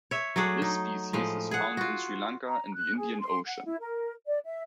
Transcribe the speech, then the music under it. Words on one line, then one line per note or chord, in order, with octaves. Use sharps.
This species is found in Sri Lanka, in the Indian Ocean.
C#5 E5
F#3 A3 D4 G#4
D#4
A2 F3 G#3
G#4 F#5
F4 F#4
A#5
F#6
G#4
C6
F#5
E4
A#4
D5
E5